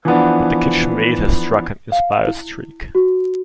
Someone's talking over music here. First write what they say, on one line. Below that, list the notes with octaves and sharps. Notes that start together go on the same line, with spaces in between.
But the kitchen maid has struck an inspired streak.
E3 F3 B3 D4
F5
E4
F#4